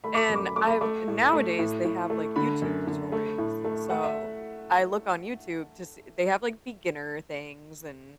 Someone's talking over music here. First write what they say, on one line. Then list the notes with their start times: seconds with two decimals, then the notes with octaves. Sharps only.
And I've nowadays, they have, like, YouTube tutorials, so I look on YouTube to see they have like beginner things and
0.04 A3 B5
0.15 D6
0.25 F#2 B5
0.35 D6
0.46 B5
0.56 A3 D6
0.68 B5
0.81 A3 D6
1.08 A2
1.33 A3
1.59 A2
1.85 A2
2.10 A3
2.36 D3 B5
2.62 F#2
2.87 D3
3.12 A3
3.38 A2
3.64 A3
3.90 A3 F#5
4.04 E5